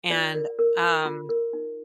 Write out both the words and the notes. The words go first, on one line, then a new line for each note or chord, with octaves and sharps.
and, um
F4 D5
A#4
A#4
F4
F4
A#4
D#4